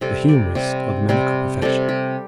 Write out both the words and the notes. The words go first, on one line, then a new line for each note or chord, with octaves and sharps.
The humorist of the medical profession.
C3 G3 C4 A4
D5
C3 G3 C4
C3 G3 C4 C5
C3 G3 C4 A4
G4